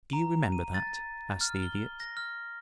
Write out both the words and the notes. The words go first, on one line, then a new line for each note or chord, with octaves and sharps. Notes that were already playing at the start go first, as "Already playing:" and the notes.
"Do you remember that?" asked the Idiot.
A#5
D#7
A6
F6
G7
A#6
F6